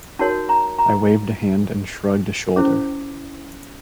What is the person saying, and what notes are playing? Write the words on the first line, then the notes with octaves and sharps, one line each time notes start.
I waved a hand and shrugged a shoulder.
D#4 F#4 A#4 C#5 A5
A#5
A#5
C#4 E4 A4 C5 D6